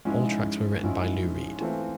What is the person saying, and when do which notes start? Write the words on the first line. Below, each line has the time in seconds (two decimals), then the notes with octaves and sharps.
All tracks were written by Lou Reed.
0.05 G#2 F3 G#3 C#4 E4
0.83 G#2 F3 G#3 C#4 E4
1.60 E3 A3 C4 F4